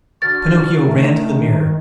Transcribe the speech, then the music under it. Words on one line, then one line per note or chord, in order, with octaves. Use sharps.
Pinocchio ran to the mirror.
D3 F#4 F6 A6
D#3 A3 D4 D#4